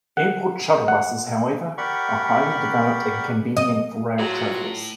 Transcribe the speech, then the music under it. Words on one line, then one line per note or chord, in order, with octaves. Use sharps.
Airport shuttle buses, however, are highly developed and convenient for rail travellers.
F#5
F#5
G4 A#4 D5 F#5 B5 C#6
D#5
A2 F#3 F4